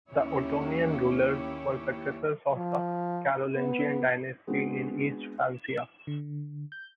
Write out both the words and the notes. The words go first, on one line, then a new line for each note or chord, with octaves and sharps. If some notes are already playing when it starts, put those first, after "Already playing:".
The Ottonian rulers were successors of the Carolingian dynasty in East Francia.
D#2 C#4 E4 G4 C#5
F3
B3
G#3 B3 C4 D4 F#4
D3
G6